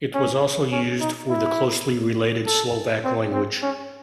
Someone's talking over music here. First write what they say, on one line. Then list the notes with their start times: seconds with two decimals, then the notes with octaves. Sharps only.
It was also used for the closely related Slovak language.
0.14 C#4
0.72 C#4
1.01 D#4
1.30 E4
2.47 A4
3.05 C4
3.33 C4
3.62 C#4